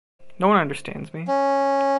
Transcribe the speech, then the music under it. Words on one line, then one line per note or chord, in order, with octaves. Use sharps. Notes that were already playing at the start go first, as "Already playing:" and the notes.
No one understands me.
C#4